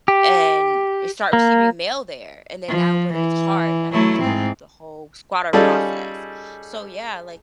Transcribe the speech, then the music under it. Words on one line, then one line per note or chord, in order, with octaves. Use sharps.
and start receiving mail there, and then now we're it's hard. Now you have to go through the whole squatter process. So, yeah, like,
G4
A#3
F3
E3
F#3 A3 E4
G#2 C4
G3 C#4 D#4 F4 G#4 A4